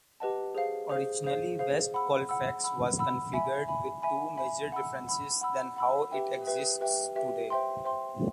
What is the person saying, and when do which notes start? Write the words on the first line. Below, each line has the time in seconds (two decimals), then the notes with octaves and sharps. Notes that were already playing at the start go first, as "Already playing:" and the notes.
Originally West Colfax was configured with two major differences than how it exists today.
0.20 G4 B4 D#5 F#5 A5
0.55 G#4 C5 F5
0.89 G#4 C5 F5
1.24 G#4 C5 F5
1.59 G#4 C5 F5
1.94 F#5 B5 E6
2.29 F#5 B5 E6
2.64 F#5 B5 E6
2.98 F#5 B5 E6
3.33 E5 G#5 B5
3.68 E5 G#5 B5
4.02 E5 G#5 B5
4.37 E5 G#5 B5
4.72 F#5 B5 E6
5.07 F#5 B5 E6
5.41 F#5 B5 E6
5.76 F#5 B5 E6
6.11 G4 B4 E5 G5
6.46 G4 B4 E5 G5
6.80 G4 B4 E5 G5
7.16 G4 B4 E5 G5
7.50 C5 E5 G5 C6
7.85 C5 E5 G5 C6